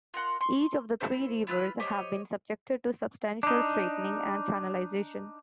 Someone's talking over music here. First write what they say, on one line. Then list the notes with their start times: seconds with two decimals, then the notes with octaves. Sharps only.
Each of the three rivers have been subjected to substantial straightening and channelization.
0.14 F4 A#4 F#5 C6
0.41 C6 C#6
1.00 E4 A4 C5
1.47 E4 F4 B4 E6
1.80 G4 C5 C#5 D#5
3.43 D4 D#4